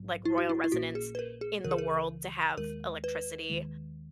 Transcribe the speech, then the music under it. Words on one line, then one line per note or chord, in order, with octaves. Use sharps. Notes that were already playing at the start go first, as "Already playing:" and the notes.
like, royal residence in the world to have electricity
Already playing: A#1 G#2 F#3
E4
F#4
E4
E4
A#1 A#2 A#3 C#4 F#4
G#4
B4
A#4
G#4
C#2 C#3 E3 A#4
G#4
A#4
D#2 D#3 G#3 A#4
B4
D#2 D#3 G#3